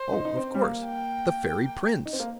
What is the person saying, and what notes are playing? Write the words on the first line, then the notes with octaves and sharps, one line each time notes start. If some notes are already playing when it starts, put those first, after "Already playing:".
Oh, of course, the fairy prince.
Already playing: C5
D#4
D#4
C4
G3
A#3
G5
D#4
C4
A#3